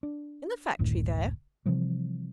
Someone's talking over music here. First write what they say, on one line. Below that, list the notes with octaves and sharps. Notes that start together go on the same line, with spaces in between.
In the factory there?'
D4
F#1 D2 A2 D#3
C3 E3 F3 G3